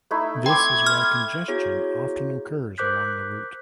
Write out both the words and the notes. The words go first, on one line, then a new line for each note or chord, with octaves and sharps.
This is why congestion often occurs along the route.
A3 D#4 E4
C4 G5 D6 G#6
F6
B3 E4 F#4 G#4 C#5
A#4 C5 D6 F#6 G6 B6